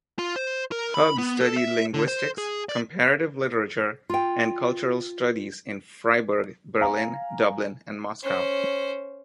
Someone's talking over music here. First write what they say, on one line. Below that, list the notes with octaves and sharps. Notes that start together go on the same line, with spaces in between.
Hug studied Linguistics, Comparative Literature and Cultural Studies in Freiburg, Berlin, Dublin and Moscow.
F4
C5
A#4
B5
B3
A4
E5
D3
C5
G#4
D5
F4 G5
F5 G#5 A#5
C#4 C5